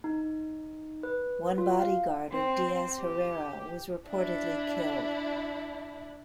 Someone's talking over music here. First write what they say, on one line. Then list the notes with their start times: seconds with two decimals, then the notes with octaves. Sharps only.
One body guard of Diaz Herrera was reportedly killed.
0.04 D#4
1.03 B4
1.58 F4
1.79 F5
2.29 C4
2.98 G4
4.08 D4 E4